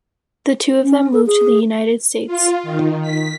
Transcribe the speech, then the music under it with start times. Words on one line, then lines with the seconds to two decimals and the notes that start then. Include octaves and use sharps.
The two of them moved to the United States.
0.83 C#4
1.13 A4
1.27 G#4
2.27 F4
2.63 D#3
3.02 B6